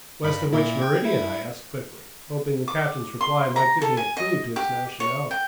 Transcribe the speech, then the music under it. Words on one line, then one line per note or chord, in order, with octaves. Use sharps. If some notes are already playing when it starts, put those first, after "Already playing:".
"West of which meridian?" I asked quickly, hoping the captain's reply might give me a clue to his nationality.
G2 B5
A#2 E4
G5 G#6
E4
D6
C6
A#5
A4
G#5
D#5
G4
C#5
G5